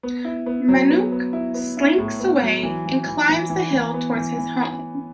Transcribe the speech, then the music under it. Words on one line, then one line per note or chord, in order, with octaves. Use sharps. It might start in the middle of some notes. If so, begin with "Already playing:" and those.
Manuk slinks away and climbs the hill towards his home.
B3
E4
B3
F#3
B3
B3
E4
B3
E4
A2
B3
F#3
E3
E3
E3
E3
E3
E3
B3
E3
E3